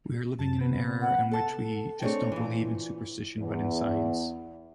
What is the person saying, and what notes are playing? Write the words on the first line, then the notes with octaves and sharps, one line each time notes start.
We are living in era in which we just don’t believe in superstition but in science.
F#2 A5
C3 B3
F#5
A4 A5
A3 C4 D4 G#4 C#5
A#2 E3
E2